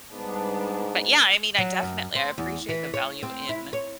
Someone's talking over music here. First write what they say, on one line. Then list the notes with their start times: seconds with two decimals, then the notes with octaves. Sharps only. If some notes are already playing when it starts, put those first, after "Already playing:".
um, but yeah, I mean, I definitely, I appreciate the value in
0.12 G#2 G3 B3 D4
1.58 F#3
1.83 F#2
2.15 C4
2.38 E2
2.69 E3
2.94 C#5
3.23 C4
3.49 E4
3.73 C#5